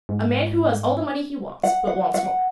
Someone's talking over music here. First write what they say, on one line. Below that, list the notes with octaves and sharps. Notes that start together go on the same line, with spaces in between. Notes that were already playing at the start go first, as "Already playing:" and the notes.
A man who has all the money he wants but wants more.
G#2
F#5
F#5
F#5